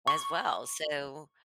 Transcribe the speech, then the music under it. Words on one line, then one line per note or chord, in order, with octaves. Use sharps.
as well, so
C#6